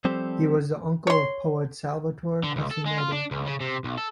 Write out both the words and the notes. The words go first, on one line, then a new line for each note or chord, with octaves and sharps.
He was the uncle of poet Salvatore Quasimodo.
F3 G3 C4 G4 A4 C5
C#5 C6
D3
C#2
A4
G#3
F4
D4
C#2
C#3
C3
B1
A4